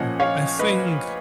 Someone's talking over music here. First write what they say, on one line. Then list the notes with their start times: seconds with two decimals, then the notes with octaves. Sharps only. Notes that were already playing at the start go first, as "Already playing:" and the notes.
Hmm, I think
Already playing: A#2 F3 A#3 C#4 D#5 F#5
0.20 C#5 F5
0.59 B4 D#5